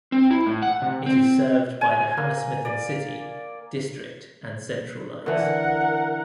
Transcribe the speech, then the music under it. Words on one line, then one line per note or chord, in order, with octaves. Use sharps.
It is served by the Hammersmith and City, District and Central lines.
C4
E4
A2
F#5
C3
C4
G#5
A#3
D5
D3 E3 A#4 F#5